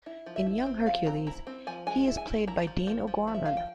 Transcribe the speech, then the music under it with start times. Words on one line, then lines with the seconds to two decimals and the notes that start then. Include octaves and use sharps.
In "Young Hercules", he is played by Dean O'Gorman.
0.06 E4
0.26 F3
0.36 E5
0.46 E4
0.66 C4
0.86 F3 F5
1.07 C4 A#5
1.27 E4 A#5
1.47 C4
1.67 F3 G#5
1.87 G#3 G#5
2.07 E4
2.17 G#5
2.27 E4
2.47 E4 A#5
2.67 F3
2.87 F3
3.07 F3
3.27 F3
3.35 E5
3.46 F3 F5
3.57 G5